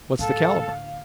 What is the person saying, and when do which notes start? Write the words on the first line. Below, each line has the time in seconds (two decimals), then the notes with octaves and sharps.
"What's the calibre?"
0.19 A2 D3 A4 F5